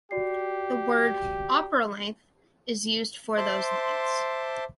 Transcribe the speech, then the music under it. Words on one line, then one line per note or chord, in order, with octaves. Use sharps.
The word "opera length" is used for those lengths.
F#4 G4 D5 C7
C5 E5 A5 C6 D6